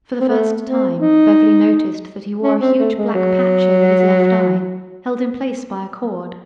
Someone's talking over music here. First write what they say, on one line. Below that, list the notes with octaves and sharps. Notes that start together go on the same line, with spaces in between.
For the first time, Beverly noticed that he wore a huge black patch over his left eye, held in place by a cord.
C4
A3
C4
D#4
C#4
C4
A3
G#3
F#3